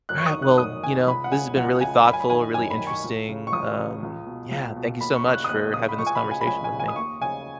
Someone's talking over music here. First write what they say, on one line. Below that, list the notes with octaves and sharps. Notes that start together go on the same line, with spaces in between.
Alright. Well, you know, this has been really thoughtful, really interesting. Um, yeah, thank you so much for having this conversation with me.
F#2 F#6
C#6
D#6
D#3
F#6
F#2 D#6
D#3 G#5
C#2 B5
F#5
C#3 G#5
C#2 F#5
C#3 G#5
F#2 B5
G#5
B5
D#3 G#5
F#2 G#5
B5
D#3
C#6
C#2
C#3
C#6
C#2 D#6
C#3
C#2
B2
C#2
B2
D#2 B5
C#6
C#3
F#6
D#6
D#2 F#6
C#3 D#6
B5
C#2 C#6
G#5
B5
C#3
G#5
B5
C#2 G#5
G#5
C#3
G#5
D#6
D#2 C#6
C#3 G#5